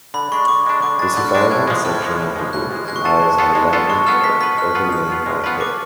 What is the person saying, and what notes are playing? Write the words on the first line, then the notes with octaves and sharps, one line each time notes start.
The surviving section of the wood lies on London Clay overlain by head.
D3 B5
G#3 D4 C#6
D3 D6
G#3 D4
D3 D6
G#3 D4 A6
D3 F#6
F6
G#3 D4 D6
F#6
A2 G#6
F3 G#3
A2 F6
F3 G#3
A2
F3 G#3
A2 F#6
F3 G#3
G#3 F#6
C#6
B3 F4 A4 A5
G#3
B3 F4 A4
G#3
B3 F4 A4
G#3 C#6
B3 F4 A4 F6
G#3 B6
B3 F4 B4 B6
G#3 F6
B3 F4 B4
G#3 F6
B3 F4 B4
G#3
B3 F4 B4
D6